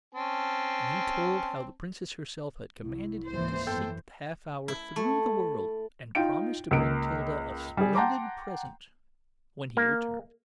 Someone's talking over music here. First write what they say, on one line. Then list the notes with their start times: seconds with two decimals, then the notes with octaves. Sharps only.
And he told how the Princess herself had commanded him to seek the half-hour through the world, and promised to bring Tilda a splendid present when he returned.
0.15 C4 C#4 A5
2.83 C2 E4
3.29 G#1 C#2 E3 A#3 C5
3.67 F#2 B3 A4 G5 G6
4.68 E4
4.96 A3
6.15 D#4 F4 G5 D7
6.71 C#2 A#3 D7
7.77 G3 G#4
7.95 F#5 G5 A5 A#5 C6 D6
9.77 A#3